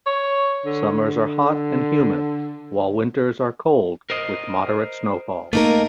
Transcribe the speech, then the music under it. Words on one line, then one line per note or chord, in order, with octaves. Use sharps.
Summers are hot and humid, while winters are cold with moderate snowfall.
C#5
D3
A#4 C5 D#5
A3 A#3 D#4 A#4